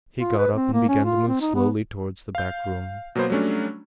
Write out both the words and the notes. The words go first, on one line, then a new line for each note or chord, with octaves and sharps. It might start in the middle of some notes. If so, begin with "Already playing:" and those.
He got up and began to move slowly towards the back room.
F4
B4
C4
A#3
C#4
F4
C4
D#4
B3
F5 G6
B2 F#3 A#3 B3 C5
F#3 G3 A3 C#4 D4